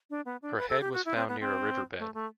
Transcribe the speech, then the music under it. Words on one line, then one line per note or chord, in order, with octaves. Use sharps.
Her head was found near a riverbed.
D4
B3
D4
B4
A4
G4
F#4
E4
C4
B3
C4
A3
A3